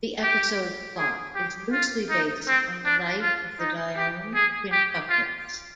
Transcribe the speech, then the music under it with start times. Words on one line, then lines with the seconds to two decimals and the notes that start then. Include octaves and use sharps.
The episode's plot is loosely based on the life of the Dionne quintuplets.
0.23 G4
0.98 G#4
1.35 G4
1.72 F4
2.10 D#4
2.48 C4
2.85 D4
3.22 F4
3.59 D#4
3.97 G4
4.35 G#4
4.72 G4
5.10 F4